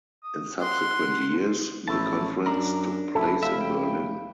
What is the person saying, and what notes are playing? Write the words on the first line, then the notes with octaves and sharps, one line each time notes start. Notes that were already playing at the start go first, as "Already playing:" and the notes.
In subsequent years the conference took place in Berlin.
D#6
F#5 C6
A1 F3 A3 E4 A5
F#2 D4 A#4 A#5
F#1 E4 A4
F1 E4 E5 F5
G5